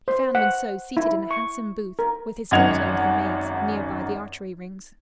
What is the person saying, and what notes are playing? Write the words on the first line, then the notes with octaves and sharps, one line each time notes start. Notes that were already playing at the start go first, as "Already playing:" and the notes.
He found Monceux seated in a handsome booth, with his daughter and her maids, near by the archery rings.
C5
F#5
E4
C#6
A#4
G#1 F#2 D#5 F#5 G#6 F7